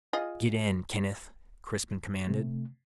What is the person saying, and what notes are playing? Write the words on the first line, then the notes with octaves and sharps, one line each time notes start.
"Get in, Kenneth," Crispin commanded.
F4 G#4 D#5
C3 A3